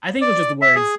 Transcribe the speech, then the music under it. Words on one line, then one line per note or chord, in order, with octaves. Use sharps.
I think it was just the words.
D5
E5
G#4